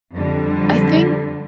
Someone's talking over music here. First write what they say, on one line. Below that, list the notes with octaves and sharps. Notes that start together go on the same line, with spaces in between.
I think
F2 D3 G3